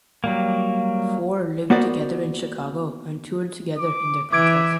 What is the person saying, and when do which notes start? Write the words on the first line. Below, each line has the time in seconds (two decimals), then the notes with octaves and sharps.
The four lived together in Chicago and toured together in their quintet.
0.24 F#3 G3 A#3
1.70 A#3 B3 F#4 C5 D5
3.78 D6
4.32 E3 E5 D6 G#6 D7